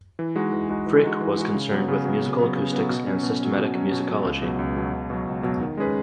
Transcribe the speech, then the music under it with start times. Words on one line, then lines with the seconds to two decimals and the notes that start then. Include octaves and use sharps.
Fricke was concerned with musical acoustics and systematic musicology.
0.19 E3
0.36 G#3 D#4 F#4
0.53 E3
0.69 G#3 D#4 F#4
0.86 E3
1.03 G#3 D#4 F#4
1.21 E3
1.37 G#3 D#4 F#4
1.54 C#3
1.71 F#3 B3
1.88 C#3
2.05 F#3 B3
2.22 C#3
2.39 F#3 B3
2.56 C#3
2.73 F#3 B3
2.90 B2
3.07 F#3 C#4
3.23 B2
3.40 F#3 C#4
3.58 B2
3.75 F#3 C#4
3.91 B2
4.09 F#3 C#4
4.25 C#2
4.42 B2 F#3
4.59 C#2
4.76 B2 F#3
4.93 C#2
5.10 B2 F#3
5.27 C#2
5.43 B2 F#3
5.61 D#3
5.77 G#3 C#4 G#4 B4